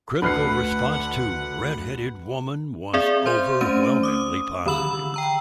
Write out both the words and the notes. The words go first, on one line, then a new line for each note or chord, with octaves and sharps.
Critical response to "Red-Headed Woman" was overwhelmingly positive.
D2 D3 A3 B4 F#5 F6 C7
C4 G#4 D5 E5
C5 C6 G6
A3 C#4 C5 D#7
D6 D#6
D3 D#3 B5 E6 F#7
G5 A#5 E6